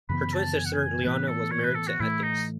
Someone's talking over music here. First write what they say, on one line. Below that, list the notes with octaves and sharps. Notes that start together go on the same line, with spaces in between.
Her twin sister Leona was married to Atkins.
F#2 C#3 E3 B3 B5
A5
G#5
F#5
G#5
A2 E3 B3 B4
A4
C#5
B4
A4
F#4
A2 E3 A3 E4
D#4